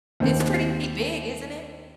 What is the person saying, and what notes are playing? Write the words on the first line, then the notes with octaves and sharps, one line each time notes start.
It's pretty big, isn't it?
D#2 C4